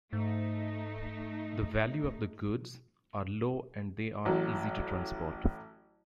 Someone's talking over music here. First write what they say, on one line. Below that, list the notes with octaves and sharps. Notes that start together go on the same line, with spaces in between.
The value of the goods are low and they are easy to transport.
G#2 A3 D#4
A1 F#3